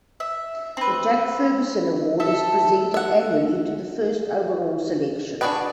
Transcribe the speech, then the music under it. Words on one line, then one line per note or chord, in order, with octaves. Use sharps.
The Jack Ferguson Award is presented annually to the first overall selection.
E5
C4 B4
A4 E5
E5 F#5
D4 F#4 G#4 B4 G5